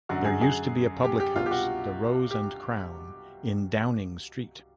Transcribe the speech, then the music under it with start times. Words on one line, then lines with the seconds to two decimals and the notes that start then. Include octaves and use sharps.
There used to be a public house, the Rose and Crown, in Downing Street.
0.09 F#2 D3 F#4
0.25 G#4
0.41 G#4
1.04 G4
1.20 G4
1.36 C2 B2 F4
1.46 G4
1.51 F#4
2.31 G4